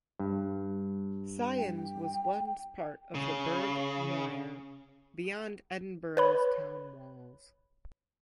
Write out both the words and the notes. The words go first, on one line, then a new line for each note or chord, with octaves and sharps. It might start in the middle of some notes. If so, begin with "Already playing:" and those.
Sciennes was once part of the Burgh Muir beyond Edinburgh's town walls.
G2
G5
C#3
B4 C#5 B5